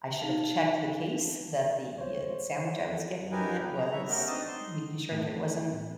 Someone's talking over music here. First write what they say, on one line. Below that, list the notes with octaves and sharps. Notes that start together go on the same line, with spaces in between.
I should’ve checked the case that the, uh, sandwich I was getting, was making sure that it wasn't
D#4 F5 A5
C5 C#5
D#4 G4 A#4 B4 G#5
G#4 A#5
B4 C#5 E5 A#5
A3 B3 C#4 F#4 G4 A#4
C4 D4 D#4 D#5 A5 D#6
D#4 C6
A2